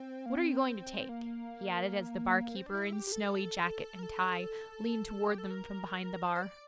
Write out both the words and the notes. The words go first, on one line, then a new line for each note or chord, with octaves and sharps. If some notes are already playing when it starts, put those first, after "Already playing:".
"What are you going to take?" he added, as the barkeeper, in snowy jacket and tie, leaned toward them from behind the bar.
Already playing: C4
A#3
C4
A#3
C4
D4
E4
G4
G4
A4
A#4
A4
G4
A4
A#4
C5
C5
D5